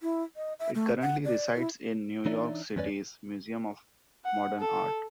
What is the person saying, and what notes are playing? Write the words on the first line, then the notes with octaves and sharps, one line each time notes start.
It currently resides in New York City's Museum of Modern Art.
E4
D#5
E5
A3
F#5
D5
E4
E3 D4 D#4 C#5 D5 E5
E2 G2 C#4 B4 D5
F#5
A4